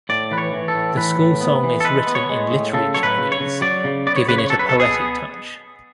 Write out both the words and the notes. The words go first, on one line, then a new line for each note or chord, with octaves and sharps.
The school song is written in literary Chinese, giving it a poetic touch.
A2 D5
E3 B4
C#5
E3
A4
A2
E3 B4
A2
B3
E3
A4
G#3 B4
B3
C#5
G#3
A2
C#3 A4
F#3 C#5
B4
C#3
C#5
C#3
F#3 D5
C#3
B3 D5
C#5
C#3 B4
C#5
F#3 A4
B4
B2 A4
G#4
B3